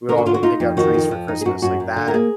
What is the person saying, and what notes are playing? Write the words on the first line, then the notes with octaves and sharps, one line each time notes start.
we would all go pick out trees for Christmas, like, that
D3 A#4
F#4
D3 F4
F#4
D#4 F4
F2
D#3 F#4
F2
F3
D#4
G#4
F#2 F#4
F#2 F#4
F#2
D3
A#4
A#3 G#4